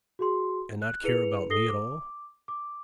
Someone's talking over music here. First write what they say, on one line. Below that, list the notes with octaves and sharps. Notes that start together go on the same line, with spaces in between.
'And not care about me at all?'
F#4 G#4 C6
F#6
E4 G#4 B4 C#7 F7
A4 D#6 A#6 C7 G7
D6
D6